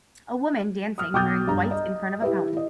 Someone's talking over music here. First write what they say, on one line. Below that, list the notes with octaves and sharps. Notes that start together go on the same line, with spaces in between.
A woman dancing wearing white in front of a fountain.
D#6 F6
B1 G5 D6 D#6 G6 A6
G2 A#5
D#5
E4 G4 B4 E5
E4 D#5